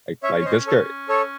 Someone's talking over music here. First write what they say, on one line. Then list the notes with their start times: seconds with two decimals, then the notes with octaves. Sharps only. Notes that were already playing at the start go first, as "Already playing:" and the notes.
Like like, Discor
0.23 C#4 C#5 E5
0.41 C#5
0.45 C5 D#5
0.67 A4 C#5
1.09 A4 C#5